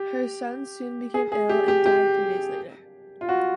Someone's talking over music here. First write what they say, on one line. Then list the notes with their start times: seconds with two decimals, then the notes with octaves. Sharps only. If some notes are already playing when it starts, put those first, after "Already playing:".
Her son soon became ill and died three days later.
Already playing: G4
1.14 G#4
1.32 G#4
1.49 G4
1.68 G4
1.86 G4
3.21 F4
3.29 F#4